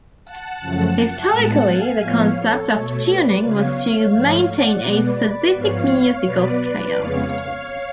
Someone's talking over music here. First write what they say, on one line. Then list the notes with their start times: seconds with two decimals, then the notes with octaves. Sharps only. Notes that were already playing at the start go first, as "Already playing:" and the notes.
Historically, the concept of tuning was to maintain a specific musical scale.
0.25 F#5 A5
0.61 F#2 C#3 F3 A3
1.31 A2 G#3 B3
1.66 F5 G#5
2.01 A2 F3 B3 C#5 F5
2.37 A4 C#5
2.72 B2 A3
3.07 B4 D5
3.42 C#3 F#3 B3 C#5 F5
4.13 G#2 F3 A3
4.48 D5 F#5
4.83 B2 G#3 B3 B4 D5
5.54 G#2 F3 B3 C#5 F5
6.25 B2 F#3 B3 B4 D5
6.95 F2 C#3 G#3 B3 C#5 F5